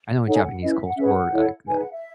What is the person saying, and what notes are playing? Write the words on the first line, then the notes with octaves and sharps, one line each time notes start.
I know in Japanese culture or, like, uh
D#4 A4 C#5 F#5
G#5
F#5
C#4 E4 B4 D#5
E5
F#5
C#4 G#4 B4 E5
F#5
E4 A4 C#5
D#4 G#4 B4 G#5
F#5
E5